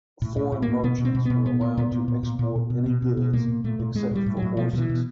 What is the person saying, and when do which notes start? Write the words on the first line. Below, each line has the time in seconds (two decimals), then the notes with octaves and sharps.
Foreign merchants were allowed to export any goods except for horses.
0.22 A2
0.36 A2
0.52 A2
0.62 A#3
0.68 A2
0.83 B2 B3
0.98 B2
1.05 C4
1.15 B2
1.25 B2 B3
1.46 A#2 B3
1.61 A#2
1.77 A#2 B3
1.92 A#2
2.08 A#2
2.23 A#2
2.39 A#2
2.56 A#2
2.70 B2
2.86 B2
3.02 B2
3.17 B2
3.33 A#2 A#3
3.48 A#2
3.64 A#2 A3
3.80 A#2
3.95 A2 G#3
4.11 A2 G3
4.26 A2
4.37 F#3
4.42 A2
4.57 B2 F3
4.73 B2 F3
4.78 E3
4.89 B2